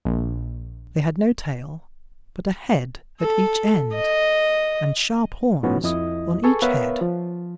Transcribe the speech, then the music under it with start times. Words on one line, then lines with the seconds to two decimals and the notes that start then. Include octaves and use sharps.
They had no tail, but a head at each end, and sharp horns on each head.
0.05 A#1
3.21 A4
3.96 D#5
5.63 A2 F3 B3 C#4 D#4 F#4
5.84 F2 E4 D#5 D#6
6.44 G#4 A4 B4 G#5 C#6
6.62 B3 A#4 B4 C#5 E5 F5
7.01 F3